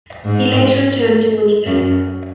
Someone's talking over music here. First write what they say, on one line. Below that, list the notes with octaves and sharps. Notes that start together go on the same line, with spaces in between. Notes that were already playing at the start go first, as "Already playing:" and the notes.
He later returned to Winnipeg.
G#2
F#2